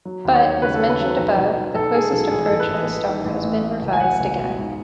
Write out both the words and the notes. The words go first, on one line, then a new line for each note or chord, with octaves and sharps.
But, as mentioned above, the closest approach of the star has been revised again.
F#3
D#2
C#5
D#2
C#3 B4
A4
C#3
B4
F#3
B1
B1
B1
B1 A4
G#3 G#4
B1 A4
A1 G#4
A4
A1
B4
A1
D#5
A1
D#3
A1
A3
A3
C#2
G#5
C#2 F#5
C#2
B2
G#2